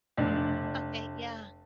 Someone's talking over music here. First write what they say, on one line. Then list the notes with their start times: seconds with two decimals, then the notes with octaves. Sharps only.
Okay, yeah.
0.17 F1 D4